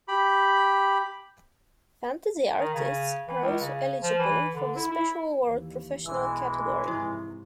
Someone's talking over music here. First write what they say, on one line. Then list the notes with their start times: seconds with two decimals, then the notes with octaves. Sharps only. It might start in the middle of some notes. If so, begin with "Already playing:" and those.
Fantasy artists are also eligible for the Special Award-Professional category.
0.08 G4 B5
2.59 D#3
2.74 C#3
3.28 E3
3.42 C#2
3.60 C#3
4.03 F3
4.19 E3
4.54 D3
4.76 E4
4.91 E4
5.44 D#2 E3
6.06 B1 E3 G#3 E6
6.86 G#2 C3 F3 E4